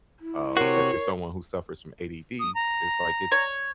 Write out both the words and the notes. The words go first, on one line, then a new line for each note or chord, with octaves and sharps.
um, if you're someone who suffers from ADD, it's like it's
E4
C3 F#4 A#4 C#5 C7
D#6
A#5
C#5